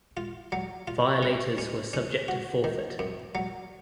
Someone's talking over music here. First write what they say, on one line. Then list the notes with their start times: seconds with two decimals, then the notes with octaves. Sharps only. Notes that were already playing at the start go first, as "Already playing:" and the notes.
Violators were subject to forfeit.
0.17 F4
0.52 F#3
0.88 F4
1.23 C#4
1.58 C#4
1.93 C#4
2.28 F#4
2.64 D#3
2.99 F#2
3.35 F#3